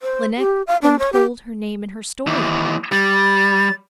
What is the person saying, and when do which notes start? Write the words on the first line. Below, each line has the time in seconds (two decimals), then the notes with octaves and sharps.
Lineik then told her name and her story.
0.02 C5
0.38 G4
0.67 F5
0.82 D4
0.99 C#5
1.13 G4
2.27 D#2 E3
2.92 G3 A6